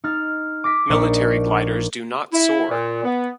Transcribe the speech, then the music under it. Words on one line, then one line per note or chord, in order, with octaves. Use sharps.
Military gliders do not soar.
D#4 F6 A6
D6 A#6 B6
A#1 D4 D#4 A#4 D5 C#6
E4
A#2
B3